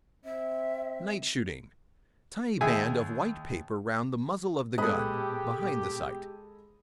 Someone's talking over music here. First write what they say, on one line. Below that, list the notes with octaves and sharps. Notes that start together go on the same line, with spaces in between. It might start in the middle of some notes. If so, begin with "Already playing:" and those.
Night-shooting.--Tie a band of white paper round the muzzle of the gun, behind the sight.
C4 E5
D#2 G#4 E5 G#5
A#2 G#3 B3 G4 A4 D#5 B5 F#6